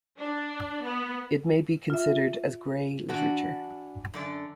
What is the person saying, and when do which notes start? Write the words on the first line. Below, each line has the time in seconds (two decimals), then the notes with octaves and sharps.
It may be considered as grey literature.
0.18 D4
0.82 B3
1.90 F4 E5
3.09 E3 D4 F#4
4.14 F#2 D3 D5